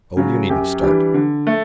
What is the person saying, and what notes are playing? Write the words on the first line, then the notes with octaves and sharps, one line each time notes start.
Oh, you needn't start!
C#3 F#3
F#2 G4
E3 G3 D4
D3
A3